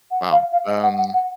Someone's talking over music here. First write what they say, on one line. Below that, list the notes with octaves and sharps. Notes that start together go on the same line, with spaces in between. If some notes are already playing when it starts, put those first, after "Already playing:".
Wow, um
F#5
F5
F5
D#5
F#5
F#5
F#5